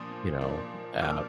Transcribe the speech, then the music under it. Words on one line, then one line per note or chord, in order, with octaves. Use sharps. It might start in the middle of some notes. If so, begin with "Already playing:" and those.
you know, um
Already playing: A#2 F3 A#3 D4 C6 D#6
A#2 F3 A#3 D4
A#2 F3 A#3 D4 D6 F6